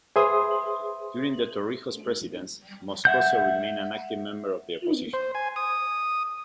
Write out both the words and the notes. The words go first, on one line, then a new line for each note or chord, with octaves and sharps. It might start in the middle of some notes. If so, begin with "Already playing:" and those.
During the Torrijos presidency, Moscoso remained an active member of the opposition.
G#4 B4 C5 E5 C6 D#6
E5 F#5 G6
C5
G#5
D#6